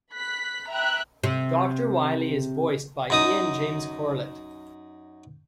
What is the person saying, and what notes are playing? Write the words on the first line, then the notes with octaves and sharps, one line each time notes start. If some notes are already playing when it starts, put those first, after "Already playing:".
Doctor Wily is voiced by Ian James Corlett.
B5 F#6 B6
E5 G5 A#5 B5 F#6
C3
F#2 D#4 D#6